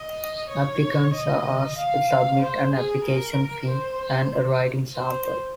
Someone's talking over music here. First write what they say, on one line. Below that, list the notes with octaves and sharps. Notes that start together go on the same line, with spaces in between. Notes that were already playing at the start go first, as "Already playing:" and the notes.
Applicants are asked to submit an application fee and a writing sample.
Already playing: D#5
C#5
D#5
F5
C5
G#4
A#4
C5
C5